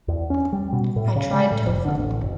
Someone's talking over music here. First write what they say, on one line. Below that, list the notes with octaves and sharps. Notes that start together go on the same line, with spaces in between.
I tried tofu.
E2
C#4
G3
B2
A2
C#3
G#3
A2
F1
D3
A1
F#1